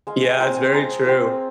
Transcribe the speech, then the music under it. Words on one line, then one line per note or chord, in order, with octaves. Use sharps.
Yeah, it's very true.
G#3 F5
G#5
C4 F4 A#5
G#5
G#3 A#5
C4 F4